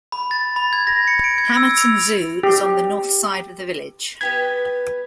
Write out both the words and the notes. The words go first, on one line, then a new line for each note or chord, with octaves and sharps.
Hamerton Zoo is on the north side of the village.
B5
A6
B5
G#6
A#6
C#7
D7
G#6
E6
F7
G4
B3 G4 B4 G#6